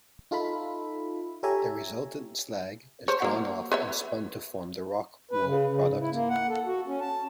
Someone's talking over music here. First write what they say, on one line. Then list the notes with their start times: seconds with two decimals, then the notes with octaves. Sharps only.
The resultant slag is drawn off and spun to form the rock wool product.
0.31 D#4 F4 A4 E5 B5
1.43 G4 A4 C#5 E5 G#5 A#5
3.08 C5 C#5
3.22 F#3 A#3
3.72 B4 C#5 E5
5.31 B4
5.45 C#3
5.67 C#3
5.88 G#2
6.00 E4
6.12 A#3
6.29 F#5
6.49 A4
6.66 F#4
6.87 C#4
7.00 A5